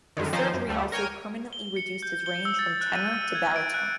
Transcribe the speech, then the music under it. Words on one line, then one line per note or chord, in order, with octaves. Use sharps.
The surgery also permanently reduced his range from tenor to baritone.
F#2 D3 D#3
D#3 F3 C4 C#4 D#4 C5
F#2
D2 G3 A3
A#4 C#5 G5 G#5
G7
C#7
G6
G7
E6
A6
F#6
D#7
E6
G#6
D7
F#6